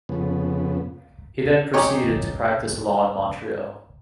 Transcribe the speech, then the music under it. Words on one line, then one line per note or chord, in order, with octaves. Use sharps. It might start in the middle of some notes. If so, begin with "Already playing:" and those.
He then proceeded to practice law in Montreal.
F2 C#3 B3
C#4 D#4 G4 C#5